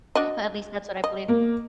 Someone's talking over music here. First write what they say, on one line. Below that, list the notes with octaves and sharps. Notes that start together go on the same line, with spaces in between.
At least, that's what I believe.
D4 F#4 D#5
D#5
A#3